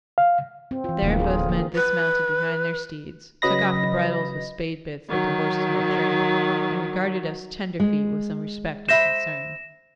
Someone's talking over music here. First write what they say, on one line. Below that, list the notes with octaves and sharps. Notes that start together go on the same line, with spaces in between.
There both men dismounted behind their steeds, took off the bridles with spade bits that their horses might drink, and regarded us tenderfeet with some respect and concern.
F5
C4
E3 F4
D1 D3 F3 A#3
F4 G#4
F3 A#3
B4
C#3 F#3 B4 D#5 B5 A#6
D#3 F#3
G#3
C5 E5 B5 A#6 E7